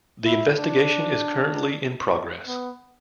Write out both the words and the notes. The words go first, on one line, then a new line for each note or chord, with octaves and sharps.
The investigation is currently in progress.
E4
D4
B3